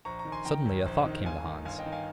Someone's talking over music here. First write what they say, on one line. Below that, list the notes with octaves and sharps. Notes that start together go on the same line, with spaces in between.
Suddenly a thought came to Hans.
A#1 A#5 C#6
A#5 C#6
D#3
G#5 C6
D#3 G5 A#5
D#2
A#1
D#3
G1 F5 G#5
D#3
G1 F5 G#5
D#5 G5
D#3
F5 G#5